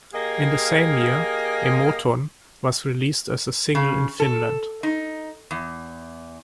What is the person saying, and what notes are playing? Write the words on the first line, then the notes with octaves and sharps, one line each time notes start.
In the same year, "Emoton" was released as a single in Finland.
A#3 G4 G#4 D#5 F5
C#3
A4
D#4
E2